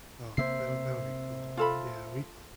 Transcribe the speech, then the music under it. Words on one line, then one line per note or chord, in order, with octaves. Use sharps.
Oh, that'll that'll be cool, yeah, we
C3 A#3 C4 C5 E5 C7
F4 A4 B5